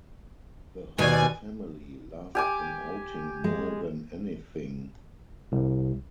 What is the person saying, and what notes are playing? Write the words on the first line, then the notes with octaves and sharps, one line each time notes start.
The whole family loved an outing more than anything.
D#2 B2 D5 G#5
G4 G#5 D6
G#3
C2